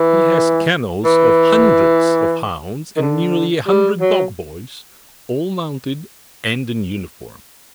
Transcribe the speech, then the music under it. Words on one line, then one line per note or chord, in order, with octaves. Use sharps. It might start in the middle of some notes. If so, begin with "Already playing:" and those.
He has kennels of hundreds of hounds and nearly a hundred dog-boys--all mounted, and in uniform.
Already playing: E3
E3
D#3
D3
G3
F#3